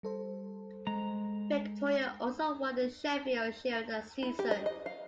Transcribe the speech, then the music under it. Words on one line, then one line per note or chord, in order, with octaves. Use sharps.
Victoria also won the Sheffield Shield that season.
G3 A4 C5
G#3 A#5
E4
G4
D#5
D#5
F5